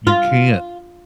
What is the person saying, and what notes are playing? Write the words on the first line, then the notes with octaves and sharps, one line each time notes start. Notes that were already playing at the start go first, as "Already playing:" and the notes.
you can't
F4